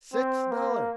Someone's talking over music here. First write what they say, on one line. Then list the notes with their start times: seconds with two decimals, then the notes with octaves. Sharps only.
"Six dollars."
0.14 C4
0.52 A#3